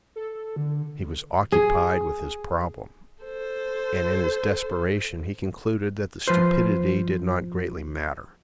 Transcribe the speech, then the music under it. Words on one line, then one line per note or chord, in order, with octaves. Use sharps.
He was occupied with his problem, and in his desperation he concluded that the stupidity did not greatly matter.
A4
D3
G#4
A4 C5
F3 B4 C5